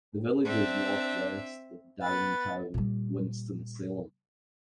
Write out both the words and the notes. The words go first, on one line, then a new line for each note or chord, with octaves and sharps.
The village is northwest of downtown Winston-Salem.
C4 D4 E5
B3 B4 A6
A#2 G3